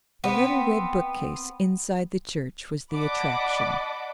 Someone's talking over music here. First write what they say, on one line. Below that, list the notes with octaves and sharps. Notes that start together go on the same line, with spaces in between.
A little red bookcase inside the church was the attraction.
B3 C4
D5 D#5 F#5 A5 B5 D6